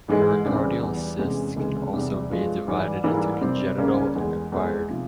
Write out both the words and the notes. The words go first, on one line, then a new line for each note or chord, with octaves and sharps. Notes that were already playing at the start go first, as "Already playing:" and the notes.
Pericardial cysts can also be divided into congenital and acquired.
G#2 E3 G#3
C#2 C#3 E3 G3 C4
E2 E3 G3
E2 C3 E3 G#3 C#4
C#2 C3 E3 G#3
E2 C3 G3
G2 F3 G#3
G#2 E3 G3
G#2 E3 G3 A#3 E4
C3 G3 C4
C#2 C#3 G3 A#3 C#4
E2 E3 G#3
E2 E3 G#3
C3 F3